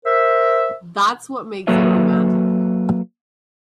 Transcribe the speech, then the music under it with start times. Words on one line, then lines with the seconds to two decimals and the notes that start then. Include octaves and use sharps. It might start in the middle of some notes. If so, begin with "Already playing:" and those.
That's what makes it romantic.
0.06 A#4 C5 E5
1.67 F#3 A#3 F#4 A4 B4 E5